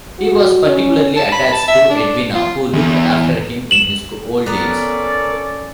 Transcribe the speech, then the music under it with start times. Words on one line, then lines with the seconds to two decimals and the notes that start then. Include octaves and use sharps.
He was particularly attached to Edwina, who looked after him in his old age.
0.19 F#4
0.66 C#4
1.16 A5
1.32 B5
1.52 A5
1.68 E5
1.89 D4
2.34 F4
2.73 E2
3.71 E7 F#7
4.46 B3 C#4 A4 A#4 D5